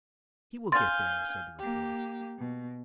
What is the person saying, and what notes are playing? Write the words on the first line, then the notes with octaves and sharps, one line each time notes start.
"He will get there!" said the reporter.
F5 G#5 C6 G6 A6
A#3 G4
B2